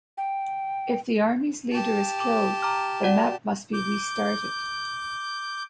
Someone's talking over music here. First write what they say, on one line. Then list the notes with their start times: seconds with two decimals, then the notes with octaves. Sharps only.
If the army's leader is killed, the map must be restarted.
0.18 G5
1.72 G4 A5
2.20 D6
2.62 A#5 D6 F6
3.03 F#4 D5 F#5
3.73 D6 G6